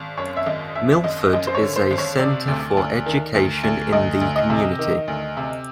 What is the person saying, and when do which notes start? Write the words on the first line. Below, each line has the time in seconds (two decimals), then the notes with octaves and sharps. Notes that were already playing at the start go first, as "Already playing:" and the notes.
Milford is a centre for education in the community.
Already playing: G#1
0.17 F#2 C#5
0.36 E5
0.46 G#1 D#5
0.75 F#2 E5
1.04 G#1 D#5
1.33 F#2 D#5
1.47 C5
1.55 C#5
1.61 D3
1.76 C5
1.91 G#1
1.98 C#5
2.19 C3 D5
2.48 D2
2.77 D2
3.06 D#3
3.35 D2
3.63 D2
3.92 D2 D#5
4.21 D2
4.36 D#5
4.50 C3
4.79 D#3
5.08 D2
5.37 C3